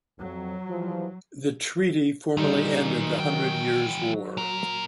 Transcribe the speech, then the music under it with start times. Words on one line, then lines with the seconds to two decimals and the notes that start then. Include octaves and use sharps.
The treaty formally ended the Hundred Years' War.
0.19 F2 F#3
0.69 E3 F3 G3
2.37 A#2 D3 G3 D#4
2.82 D#3 F#3
3.19 E3 G5
3.96 F#3
4.37 A#2 A#4